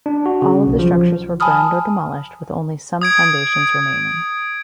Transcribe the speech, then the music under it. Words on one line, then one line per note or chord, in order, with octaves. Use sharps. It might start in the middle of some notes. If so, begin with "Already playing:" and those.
All of the structures were burned or demolished, with only some foundations remaining.
D4
F#4
C#3
B1
F3
G#5 A5 B5 D#6 F6
D#6 G#6 D7